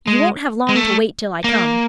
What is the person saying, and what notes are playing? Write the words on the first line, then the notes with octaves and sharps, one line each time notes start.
You won't have long to wait till I come.
G#3
G#3
A3
A#3